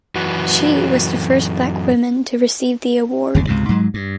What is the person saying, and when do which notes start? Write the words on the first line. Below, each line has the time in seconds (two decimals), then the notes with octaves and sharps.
She was the first black woman to receive the award.
0.15 F#2 E3 F#4 B4
3.35 G1 D#2 D3
3.47 C#2 G#2 C3
3.69 G#2 F#3 G#3
3.94 G2